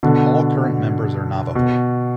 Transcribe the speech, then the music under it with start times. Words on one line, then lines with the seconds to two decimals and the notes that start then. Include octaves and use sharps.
All current members are Navajo.
0.03 B2 D3
1.55 B2